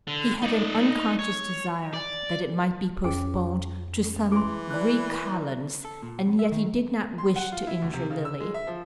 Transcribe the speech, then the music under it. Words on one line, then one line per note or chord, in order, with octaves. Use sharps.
He had an unconscious desire that it might be postponed to some Greek kalends, and yet he did not wish to injure Lily.
D3
D#4 D5
C#5
D5
F2 C#4 G#4 G5
E3 G#4 C6
D5 F#6
A4
A#2
F2
E5
D#3
C6
F#5
F4
E4
D2
C3
C#3
E6
G#3
E5
F3